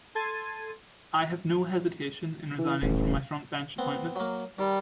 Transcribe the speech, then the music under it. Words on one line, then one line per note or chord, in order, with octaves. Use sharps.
I have no hesitation in resigning my front-bench appointment.
A4 A5 C6 G#6 A6 D#7
E3
D#1 A1
B3 C4
F#3 A#3
D#3 G3